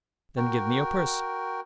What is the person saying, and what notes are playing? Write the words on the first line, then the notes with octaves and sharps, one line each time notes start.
"Then give me your purse."
F#4 A#4 G5